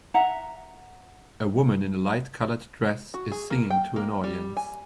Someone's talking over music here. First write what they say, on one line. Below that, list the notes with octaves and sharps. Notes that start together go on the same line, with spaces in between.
A woman in a light colored dress is singing to an audience.
E5 F#5 A#5
F#4
G#4
A#3
G5
A#3
G3
G#5